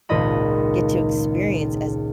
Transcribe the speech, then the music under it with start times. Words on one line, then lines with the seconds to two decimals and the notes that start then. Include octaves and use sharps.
get to experience as
0.09 G#1 C#2 A#2 D#4 D#5 B5